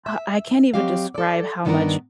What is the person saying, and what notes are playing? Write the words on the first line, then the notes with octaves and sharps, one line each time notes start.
I I can't even describe how much
E5
F#3 C4 G4 D#5 F5
A4 D5
G2 D#3 B3 D4 D#4 A#4